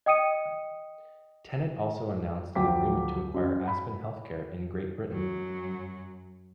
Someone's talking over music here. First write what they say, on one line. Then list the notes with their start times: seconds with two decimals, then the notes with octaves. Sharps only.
Tenet also announced an agreement to acquire Aspen Healthcare in Great Britain.
0.06 D#5 G5 D#6 C#7 D#7
2.55 D2 F3 F#3 G5 D6 B6
3.34 F#2
3.67 B5
5.09 F#2 F#3